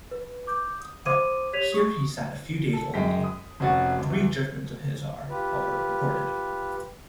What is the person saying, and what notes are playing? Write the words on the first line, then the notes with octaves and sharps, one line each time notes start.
Here he sat a few days only; three judgments of his are, however, reported.
B4
D6 G6
D#6
C5 C6 D6 D#6 G#6 D#7
G4 C#5 G#6 B6 D#7 F7
C#6 D#6
A4
F#2 G#3 G5 B6
D#6
F1 C#4 F#4 F#5 A6
C#2
E2
F4 G4 B4